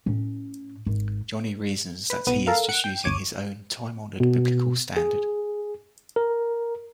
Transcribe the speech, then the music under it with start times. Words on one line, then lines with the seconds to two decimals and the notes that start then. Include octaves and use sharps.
Johnny reasons that he is just using his own "time-honored Biblical standard".
0.06 A2 C#4
0.86 G#1
2.10 B4
2.27 B1 B3 D#7
2.47 A4 A#4 F5
2.69 F#5 C#7 D7
2.84 G5
3.03 G1 D2 C#5 D6 D#7
4.20 B2
4.97 G#4
6.16 A#4